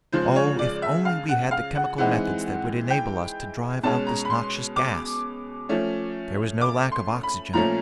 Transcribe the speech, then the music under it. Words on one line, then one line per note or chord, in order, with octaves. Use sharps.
Oh, if only we had the chemical methods that would enable us to drive out this noxious gas! There was no lack of oxygen.
C#3 F3 G#3 C5
C#5
D5
E5
F5
F#5
F5
F#5
E3 G#3 C4 D#4 F#5
G5
B2 G#3 C#4 A5
A#5
B5
C6
D6
F3 A3 C#4
D6
C6
B5
A#2 F3 A3 C#4 A#5